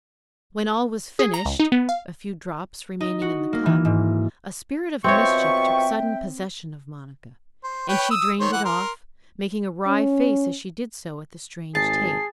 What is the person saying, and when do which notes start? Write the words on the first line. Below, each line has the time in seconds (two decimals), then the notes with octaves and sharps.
When all was finished, a few drops remaining in the cup, a spirit of mischief took sudden possession of Monica, and she drained it off, making a wry face as she did so at the strange taste.
1.19 G#4
1.34 A#5
1.46 C#2
1.60 D#4
1.72 B3
1.89 F5
3.01 D#4
3.22 F#4
3.53 A#3
3.66 E3
3.85 G#2
5.04 B2 F3 C4 C#5 E5 G5 C#6
7.64 C5
7.88 B4 C#5 G5
8.10 D#6 E6
8.40 D#3 C5 C#5
8.52 E3 F#5
8.65 A#4 C6
9.87 C#4
11.75 G#1 G#4 A5 C7